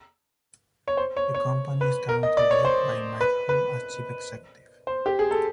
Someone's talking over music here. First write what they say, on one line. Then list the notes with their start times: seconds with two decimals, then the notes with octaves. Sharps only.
The company is currently led by Mike Hall as Chief Executive.
0.88 C#5
0.97 C5
1.17 C#5
1.34 C#5
1.81 B4
2.09 A#4
2.23 D#5
2.37 D5
2.51 C#5
2.65 C5
3.21 B4
3.49 B4
4.87 C5
5.06 G4
5.19 G#4
5.31 A4